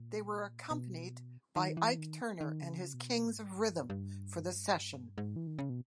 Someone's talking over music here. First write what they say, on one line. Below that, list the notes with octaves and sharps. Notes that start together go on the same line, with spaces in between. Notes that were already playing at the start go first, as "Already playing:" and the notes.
They were accompanied by Ike Turner and his Kings of Rhythm for the session.
Already playing: A#2
B2
D#3
E3
D#3
D#3
C#3
B2
G#2
G2
G2
G#2
E3
D#3
C#3
B2